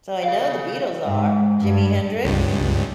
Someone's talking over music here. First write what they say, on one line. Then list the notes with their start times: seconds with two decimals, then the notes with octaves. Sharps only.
So, I know the Beatles are. Jimi Hendrix?
0.24 G#4 F5
1.06 G#2
1.59 G2
2.25 C#2 G2